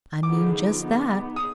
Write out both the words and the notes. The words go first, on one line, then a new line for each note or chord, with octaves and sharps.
"I mean just that."
D3 F3 B3 D#4 G#4 D6
B3 D#4 G#4
D#6